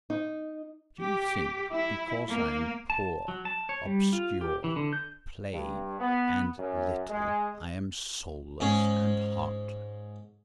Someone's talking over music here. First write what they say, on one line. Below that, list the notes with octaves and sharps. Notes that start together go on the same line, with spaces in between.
Do you think, because I am poor, obscure, plain, and little, I am soulless and heartless?
D#4
G4
E4
A#3
A5
F#3
A5
C#5
G3
F4
G4
E3
D3
G6
G2
B3
F#2
G#3
G#2 C#4 G#4